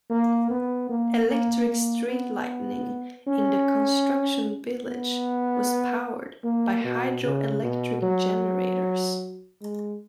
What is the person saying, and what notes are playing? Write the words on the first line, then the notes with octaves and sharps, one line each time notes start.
Electric street lighting in the construction village was powered by hydroelectric generators.
A#3
B3
A#3
A#3
A#3
B3
C#4
B3
A#3
B2
C#3
B2
F#3
G#3